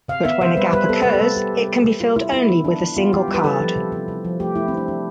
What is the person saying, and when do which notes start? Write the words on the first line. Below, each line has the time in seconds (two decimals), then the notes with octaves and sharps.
But when a gap occurs, it can be filled only with a single card.
0.08 C3 F5
0.25 B3 E5
0.41 C3 C5
0.57 G3 B4
0.73 G3 B4
0.89 B3 A4
1.02 C3 B4
1.14 A4
1.21 C3
1.36 G3 G4
1.52 G3
1.68 B3
1.84 C3
2.00 C3 F4
2.16 C3 E4
2.32 B3 E4
2.48 B3
2.64 E3 D4
2.81 E3
2.97 B3 F4
3.13 E3 G4
3.28 G3
3.34 B4
3.44 E3 A4
3.60 F3
3.76 C3
3.92 C3
4.08 C3
4.25 F3
4.40 A3 G4
4.55 A3 E4
4.68 A3 C4
4.77 D4
4.88 E3 D4